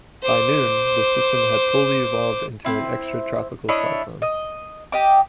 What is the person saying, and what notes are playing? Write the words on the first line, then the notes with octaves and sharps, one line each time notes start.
By noon, the system had fully evolved into an extratropical cyclone.
C5 D6
C4 E4
D4 E4 C#5 D#5
D#5
G4 D#5 D6